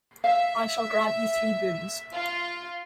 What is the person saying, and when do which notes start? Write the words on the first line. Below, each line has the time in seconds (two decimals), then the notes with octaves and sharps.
I shall grant you three boons.
0.24 E5 F5
2.13 F4